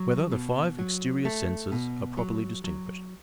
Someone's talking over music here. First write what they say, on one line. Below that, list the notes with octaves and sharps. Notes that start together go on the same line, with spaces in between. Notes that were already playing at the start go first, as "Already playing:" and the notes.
Whether the Five Exterior Senses Are Properly Distinguished?
Already playing: F#3
B2
F#3
A3
B2
F#3
F#3